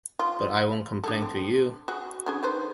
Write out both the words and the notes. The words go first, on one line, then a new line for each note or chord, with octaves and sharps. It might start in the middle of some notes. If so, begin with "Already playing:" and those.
But I won’t complain to you!
F4
D4 G#4 A4
C4
F#4 G#4
D3 C#4 G#4
D#3 B4 C5